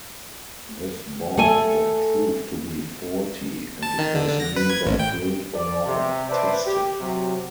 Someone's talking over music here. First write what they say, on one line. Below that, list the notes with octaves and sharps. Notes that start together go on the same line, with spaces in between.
This bomb was proved to be faulty, and it was neither built nor tested.
A3 A4 G#5
A5
D#3
D3
D3
A#6
B4
G#6
A1
G5
D5
C3
B4 C5 D5 E5 A5
G4
C3 F#3